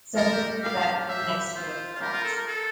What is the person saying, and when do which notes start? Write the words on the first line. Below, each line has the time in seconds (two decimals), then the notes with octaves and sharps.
Suddenly the factory next door collapsed.
0.17 A4 A#4
0.32 G4
0.47 G4
0.63 F5
1.08 E5
1.55 F4 C5
1.95 F4
2.01 G4 A#4
2.13 F4
2.24 A4
2.36 A#4
2.47 A4